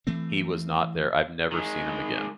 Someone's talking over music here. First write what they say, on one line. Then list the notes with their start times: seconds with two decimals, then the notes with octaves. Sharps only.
He was not there. I've never seen him again.
0.07 E3 A3 C4
1.52 D#3 G#3